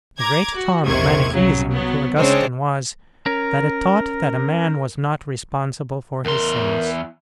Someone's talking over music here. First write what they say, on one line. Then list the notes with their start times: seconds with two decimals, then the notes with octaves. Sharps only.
The great charm of Manicheism to Augustine was that it taught that a man was not responsible for his sins.
0.19 A#5 D6 G#6
0.55 F#4
0.85 A#1 E2 C3 D#3 C#6 G#6
1.32 C2 C#3 F#3
1.71 F#3 B3
2.16 C#3 G#3 C4 D4 C5 C#5
3.26 C#4 A#4 C#5 A#5
6.25 E2 A#4 C6